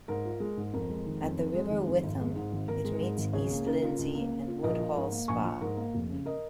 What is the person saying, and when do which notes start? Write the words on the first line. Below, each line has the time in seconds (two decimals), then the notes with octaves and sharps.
At the River Witham, it meets East Lindsey and Woodhall Spa.
0.08 G#2 A#4
0.25 F4
0.40 G#3
0.57 G#2
0.73 F2 A#4
0.90 G#3
1.06 D#3
1.23 F2
1.38 F2
1.54 G#3
1.70 D#3
1.87 F2
2.03 G#1
2.20 G#3
2.36 G#2
2.52 G#1
2.68 G#1 A#4
2.84 G#3
3.01 G#2
3.17 G#1
3.33 C#2 G#4 C#5
3.50 A#3
3.66 C#3 A#4
3.82 F4
3.99 C#2
4.15 A#3
4.31 C#3
4.47 F4
4.63 A#1 A#4 D#5
4.80 F3
4.96 G#2 A#4
5.12 A#3
5.28 A#1 G#5 C#6
5.44 F3
5.61 G#2 A#4
5.77 A#3
5.94 F1
6.09 C#3
6.26 A#4 D#5